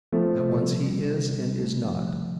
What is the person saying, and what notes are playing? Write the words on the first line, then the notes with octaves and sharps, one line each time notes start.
At once he is and is not.
F3 A3 C4
C3
G3
G3
C3
G3
A3
F3
D3